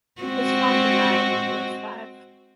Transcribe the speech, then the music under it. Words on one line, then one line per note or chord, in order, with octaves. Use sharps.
His father died when he was five.
G#3 C4 F#4